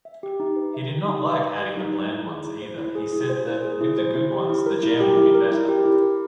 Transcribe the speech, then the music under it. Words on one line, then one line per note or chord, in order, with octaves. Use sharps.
He did not like adding the bland ones either: he said that, with the good ones, the jam would be better.
E5
G4
D#4
B4
E5
G4
D#4
B4
E5
G4
D#4
B4
E4
G#4
E4
C5
E4
G#4
E4
C5
E4
G#4
E4
C5
E4
G4
E4
A#4
E4
G4
E4
A#4
E4
G4
E4
A#4